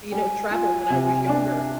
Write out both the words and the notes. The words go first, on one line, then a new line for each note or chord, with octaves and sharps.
you know travel when I was younger
G3 G#5
F4
C3
D4